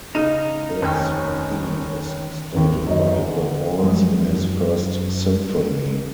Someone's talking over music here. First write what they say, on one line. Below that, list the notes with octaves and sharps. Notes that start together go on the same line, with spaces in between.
This theme is stated by the horns in his first symphony.
C#3 D#4 A#5 F6 D#7
F1 D#2 D#3 C#4 G5
G#1 D#2
F#2 D#4
D3 G#4
F#2 F3 G#3